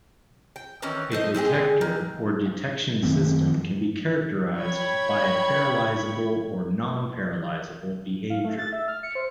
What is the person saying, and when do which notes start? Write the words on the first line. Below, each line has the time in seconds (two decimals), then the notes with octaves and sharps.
A detector, or detection system, can be characterized by a "paralyzable" or "non-paralyzable" behaviour.
0.56 G5
0.82 D#3 E3 C#4
1.12 A3 C5 D#5
1.34 G#3 C4 G4 G#4
1.81 D#3
3.03 F#2 D#3 A3 C4
4.58 C#5 G5 B5 G#6
8.30 F5
8.45 A3
8.59 A6
8.73 E5
8.88 F6
9.03 C#7
9.15 C5